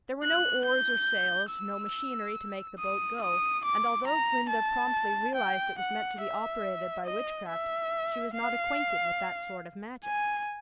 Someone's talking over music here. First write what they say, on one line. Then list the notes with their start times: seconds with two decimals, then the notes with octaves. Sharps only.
There were no oars or sails, no machinery to make the boat go, and although Glinda promptly realized it was meant to be operated by witchcraft, she was not acquainted with that sort of magic.
0.23 F#6
0.66 G6
1.51 E6
2.79 D#6
3.22 D#6
3.65 D6
4.07 A#5
4.50 A5
5.35 G5
5.78 F#5
6.21 E5
7.06 D#5
7.49 E5
8.34 F5
10.05 G#5